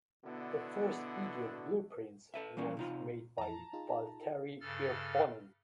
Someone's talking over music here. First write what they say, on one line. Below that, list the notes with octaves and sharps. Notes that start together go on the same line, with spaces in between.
The first video Blueprints was made by Valtteri Hirvonen.
B2 D3 B3 D4 E4 F#4
A4 B4 E5
E3 G3 A#3 C#4 F4
C3 D#4 F4
F2 E3 A5 A#5
D#4 F4 G#4
G2 C#3 A4 F6 A6